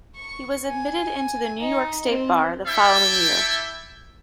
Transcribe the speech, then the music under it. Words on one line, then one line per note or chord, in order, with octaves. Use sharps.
He was admitted into the New York State bar the following year.
C#6
G#5
D#4
C4
E4 A4 D5 E5 G5